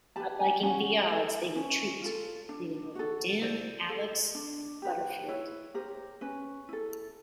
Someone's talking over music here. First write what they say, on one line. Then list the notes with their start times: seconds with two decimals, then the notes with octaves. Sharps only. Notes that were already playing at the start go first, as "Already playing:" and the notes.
Not liking the odds, they retreat, leaving only Dan, Alex and Butterfield.
0.16 G4 B4 A5 B5
0.40 G#5 A#5
0.63 C#4 F#5 G#5
1.09 E4 A4
1.56 C#4
2.02 F4 A4
2.49 D4
2.95 F#4 A4
3.42 E4 C5 D5
3.89 A4
4.35 D4
4.82 G4 B4
5.28 E4 B4 C#5
5.74 G4 A#4 C5
6.21 C#4 B4
6.69 E4 A4